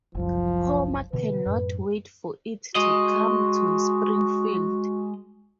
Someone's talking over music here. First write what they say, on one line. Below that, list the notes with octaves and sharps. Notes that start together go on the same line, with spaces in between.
Homer cannot wait for it to come to Springfield.
F#1 C2 F#2 F3
B2 D3 E3 B4
F#2 A2
G#3 F#4 D#5